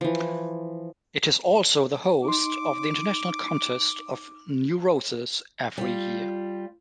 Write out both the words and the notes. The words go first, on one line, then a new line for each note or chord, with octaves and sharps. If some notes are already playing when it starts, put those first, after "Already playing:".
It is also the host of the International Contest of New Roses every year.
E3 F3
D#4 C6 D6
G3 F4